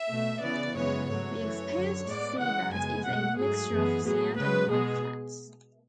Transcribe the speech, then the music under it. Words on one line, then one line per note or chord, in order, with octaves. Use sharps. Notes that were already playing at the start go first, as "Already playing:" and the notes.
The exposed seabed is a mixture of sand and mud flats.
Already playing: E5
B2 A3
C#3 E3 B3 D5
F#2 C#3 E3 G#3 B3 C#5
G#2 F#3 A3 C#5
F#2 E3 A3
F#2 D3 F#3
A2 G#3 B3 D5
C#3 E3 G#3 F#5
F#2 C#3 G#3 B3 G#5
B2 A3 F#5
G#2 F#3 A3 G#4
F#2 E3 G#3 B3
A2 F#3 B3 G#4
C#3 G#3 B3 B4
B2 G#3 B3 G#4